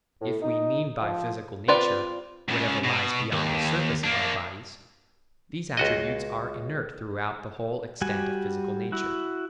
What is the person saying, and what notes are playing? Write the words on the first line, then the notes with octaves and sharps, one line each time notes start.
If we mean by physical nature whatever lies beyond the surface of our bodies, these attributes are inert throughout the whole extent of physical nature.
A2
D#4
F3
C4 F4 B4 D5
C#2 C#3
B2
D#2
A#3 D4
C#2 F#4 D#5
G3 F#4 G#5
E4 F#4